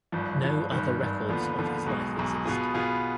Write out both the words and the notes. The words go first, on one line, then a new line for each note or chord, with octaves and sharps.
No other records of his life exist.
G#1 G2 F3
G#1 G2 F3
G#1 G2 D#3
G#1 G2 D#3
D#2 D3 F3 B3
D#2 D3 F3 B3
B1 B2 G#3
B1 B2 G#3
B2 B3 F4 G#4
B2 B3 F4 G#4